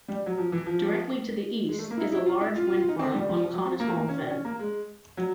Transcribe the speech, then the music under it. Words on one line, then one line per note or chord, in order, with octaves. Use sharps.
Directly to the east is a large wind farm on Conisholme Fen.
G3
F#3
F3
E3
F3
G#3
A3
A#3
E4
D#4
E4
F4
E4
F4
F4
F4
D#4
C4
G3
G3
F3
F#3
C4
A#3
A3
A#3
C#4
D4
C#4
A#3
G#3
F#3